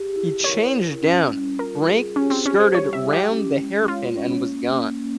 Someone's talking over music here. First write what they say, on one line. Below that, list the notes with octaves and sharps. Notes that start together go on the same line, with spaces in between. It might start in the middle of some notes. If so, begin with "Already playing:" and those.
He changed down, braked, skirted round the Hairpin and was gone.
Already playing: G4 G#4
E4
A#4 C#5
E4
C#4
G3
F4 A#4
G#4
C#4 G4
C4
C#4 G4
C5
G3 C#5
E5
E4
G4
C#4
G#3
F4 C#5
C#4
A#3
A#3